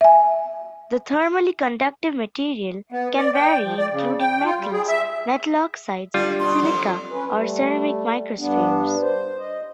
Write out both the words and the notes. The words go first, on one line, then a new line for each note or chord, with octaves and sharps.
The thermally conductive material can vary including metals, metal oxides, silica or ceramic microspheres.
E5 G#5
B3
D5
G5
F3
D5
C#3
G5
F4
G3
G#4
E5
D3 G3 D4 F4
B2 D4 C6
F2 F#3 A#3
C#4 B4
G3 A3
G2 B3 D4
C5
D#5